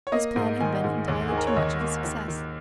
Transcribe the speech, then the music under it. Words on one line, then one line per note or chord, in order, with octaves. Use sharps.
His plan had been entirely too much of a success.
C#5
A#3 D#5
G#2
D#3 G#5
G#2
D#2
G#4
D#3
A#4
C#5
D#2 D#5
A#3
D#3
D#3